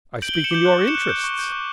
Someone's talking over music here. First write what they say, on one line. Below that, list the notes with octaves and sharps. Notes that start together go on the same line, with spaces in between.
I speak in your interests.
G6 D7 F#7
G7
G6 D7 F#7
C#7 E7
D6 G6
F#6
C#6
C#7 E7
F#6
G6
C#6
G6
D6